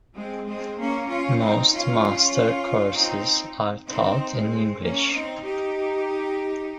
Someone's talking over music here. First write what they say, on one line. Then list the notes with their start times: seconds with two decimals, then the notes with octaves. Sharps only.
Most master courses are taught in English.
0.15 G#3 C4
0.46 G#3 C4
0.78 A#3 C#4
1.09 C#4 F4
1.39 C4 D#4
1.71 C#4 F4
2.95 C4 D#4
3.88 C4 D#4
4.35 G#3 C4
4.81 A#3 C#4
5.12 C4 D#4
5.43 D#4 G4